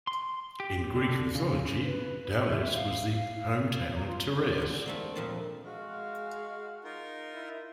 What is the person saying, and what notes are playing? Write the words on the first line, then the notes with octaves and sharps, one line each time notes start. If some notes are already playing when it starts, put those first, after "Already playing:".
In Greek mythology, Daulis was the hometown of Tereus.
C6
G4
D3
C#3
B4
E5
F5
F5
F5
A#5
F4
E2 G#2 D3
A3 A#3 C4
F2 A#2 F3 A4 A5
G#3 F#4 F5
D#4 F4 A#4
E4